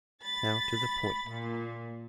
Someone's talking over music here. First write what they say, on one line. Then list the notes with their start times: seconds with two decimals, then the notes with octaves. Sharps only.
Now, to the point.
0.24 B5 A6
1.29 A#2